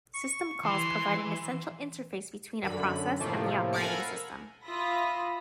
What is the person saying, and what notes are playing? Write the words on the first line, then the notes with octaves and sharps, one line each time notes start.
System calls provide an essential interface between a process and the operating system.
C#6
E3 C6
F#2 D3 B5
A2 C3 F3 A3 A#3
A4 A#4 F5 F#5 G#5 B5
F4 E5 B5 D#6 A#6